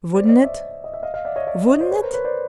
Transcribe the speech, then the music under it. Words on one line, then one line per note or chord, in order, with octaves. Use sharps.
Wouldn't it? Wouldn't it?
C5 D5
D5
C#5 D#5
D5 E5
D#5
E5
D#5 F5
D#5 F5
D5 E5
C#5 D#5
D5 E5
C#5 D#5
C5 D5
B4 C#5
A#4 C5
B4 C#5
C5 D5